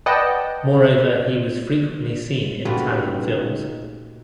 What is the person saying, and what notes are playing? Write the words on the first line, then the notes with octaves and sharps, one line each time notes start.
Moreover he was frequently seen in Italian films.
B4 D5 D#5 F#5 G5 A5
C#2 A#2 A3 A#3 D#4 F#4 G4 B4